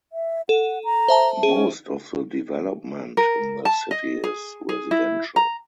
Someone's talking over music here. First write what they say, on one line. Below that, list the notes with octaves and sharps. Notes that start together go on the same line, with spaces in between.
Most of the development in the city is residential.
E5
A4 F#5
A#5
C5 E5 A5
C#4 G#4
A#4
A5
D#5
G#4
G#4
E4
A#5